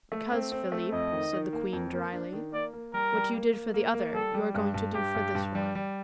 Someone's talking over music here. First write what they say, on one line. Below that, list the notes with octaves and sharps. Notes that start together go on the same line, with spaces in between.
"Because, Philip," said the queen dryly, "what you did for the other, you are going to do for this one."
A3
C4
C4
A3
F2 D#5
D#3
D#3
A#3
F2
A#3
D4
D#3
A#3 D5
A#3
G3 A#4
G3
A#3
A#3
A#3
A#3
G3 A4
G3
G2
G2
G2 G4
G2
G2
G3
G3